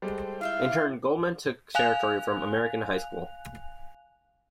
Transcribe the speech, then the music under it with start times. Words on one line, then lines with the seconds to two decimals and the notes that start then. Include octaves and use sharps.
In turn, Goleman took territory from American High School.
0.02 G3 G#3 A4 C5 G5
0.41 E4 F4 E5 F5 G5
1.75 F5 G#5 F#6 F7